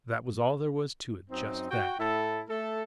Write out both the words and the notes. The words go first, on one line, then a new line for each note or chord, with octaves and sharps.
That was all there was to it--just that!
F#2 C4 D#4
F#4 G5
A2 E4 A4
A3 A4